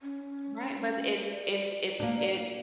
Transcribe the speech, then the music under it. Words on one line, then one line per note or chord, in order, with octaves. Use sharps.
Right, but th it's it's it's it
C#4
D5
A#3 D4